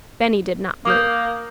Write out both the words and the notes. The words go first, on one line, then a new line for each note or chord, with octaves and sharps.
Benny did not move.
A#3 D6 D#6 G6